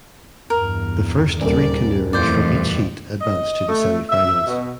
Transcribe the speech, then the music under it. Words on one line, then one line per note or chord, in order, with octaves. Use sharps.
The first three canoers from each heat advance to the semifinals.
E2 G2 A#4
D#1 A#3 D5
F2 A2 E3 G3 C5 D5
D#5
A3
E5
B2